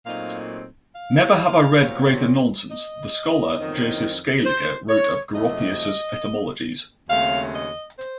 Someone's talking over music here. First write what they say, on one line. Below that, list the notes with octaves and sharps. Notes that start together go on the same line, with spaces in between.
"Never have I read greater nonsense," the scholar Joseph Scaliger wrote of Goropius's etymologies.
A#2 F#3 A3 C4 D#4 F5
F5
A#2 F#3 C4
D#5
F2 D#3 F#3 C4 D#4
C5
C#5
F2 C3 F#3 A3 D#4 D#5
D#2 C#3 F#3 A3 C4 F5
D#5
C5